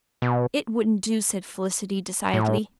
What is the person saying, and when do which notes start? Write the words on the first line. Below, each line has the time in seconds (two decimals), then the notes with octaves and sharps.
"It wouldn't do," said Felicity decidedly.
0.22 B2
2.33 A2